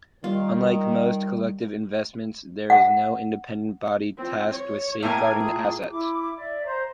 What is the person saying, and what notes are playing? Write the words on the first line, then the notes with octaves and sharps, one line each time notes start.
Unlike most collective investments there is no independent body tasked with safeguarding the assets.
D#3 G3 F4
F#5
C4 F4
C#5
A2 A#3 A#4 F5 G#5
F4 G#4
E4 D6
D5 E5
C5 A#5